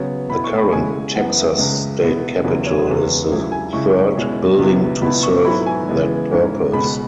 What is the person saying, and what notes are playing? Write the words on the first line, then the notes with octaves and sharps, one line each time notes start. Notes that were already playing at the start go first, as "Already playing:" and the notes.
The current Texas State Capitol is the third building to serve that purpose.
Already playing: C#3 F#3 B3 C#5
B2 B3 E4 B5
C#6
B5
C#3 G#3 E4 G#5
F#2 E3 G#3 B3 F#5
E5
C#2 C#3 G#3
B2 B3 E4
E2 C#3 F#3 E4 B4
C#5
G#4
E2 C#3 G#3 B4
C#2 C#3 F#3 E4
G#5
C#3 G#3 E4 C#6
B2 G#3 C#4 E4
C#2 B2 F#3 B3 E4
C#2 B2 B3 E4 B5
C#6
C#6
G#2 F#3 B3 E4 B5
G#5
C#3 E3 G#3 B3 E4
G#2 G#3 C#4 E4
C#2 B2 G#3 B5